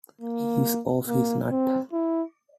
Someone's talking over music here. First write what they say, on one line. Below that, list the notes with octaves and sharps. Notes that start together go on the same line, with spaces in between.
He's off his nut.
A#3
A#3
C4
E4